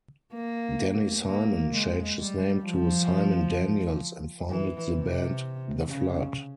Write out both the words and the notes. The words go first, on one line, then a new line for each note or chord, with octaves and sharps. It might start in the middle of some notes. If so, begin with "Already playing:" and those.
Danny Simon changed his name to Simon Daniels and founded the band The Flood.
A#3
A#3
G#3
G3
F3
E3
C3
C#3